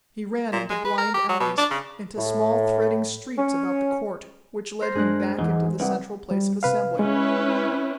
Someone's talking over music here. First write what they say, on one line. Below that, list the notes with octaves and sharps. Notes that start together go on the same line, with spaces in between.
He ran into blind alleys, into small threading streets about the court, which led him back into the central place of assembly.
A#2
G#3
B4
A#4
G4
F#3
B2
D4
C#3
A2
C#4
A#4 C5
G2 G#3 D4 G#4 F#6
E2 G#2 E3
C2 B4 F#5
G3
C3 B4 F5
G#3 C#4 E4 B4